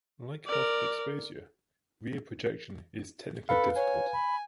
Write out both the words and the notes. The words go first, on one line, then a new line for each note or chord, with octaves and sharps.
Like multiple exposure, rear projection is technically difficult.
A#4 D5
A4 B4 F5 B5
C#5 G#5
B5